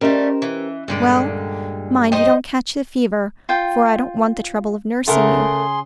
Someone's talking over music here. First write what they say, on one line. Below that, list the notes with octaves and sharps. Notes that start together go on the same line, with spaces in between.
'Well, mind you don't catch the fever: for I don't want the trouble of nursing you.'
G3 A3 C#4 G4 A#4 C5 D#5
E3
G2 A#2 D3 G#3 G4
D#4 C5 D#5 G5
F4 G5
C#3 A3 G#4 A#4 F#5 C6